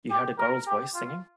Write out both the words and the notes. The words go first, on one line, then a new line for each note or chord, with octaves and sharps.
You heard a girl's voice singing?
G4
A#4
G4
F4